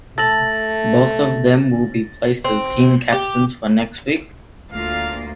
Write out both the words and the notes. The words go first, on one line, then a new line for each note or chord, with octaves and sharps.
Both of them will be placed as team captains for next week.
A3 A4 A6 A#6 F#7
C4
G4
D2 A#3 F4 F5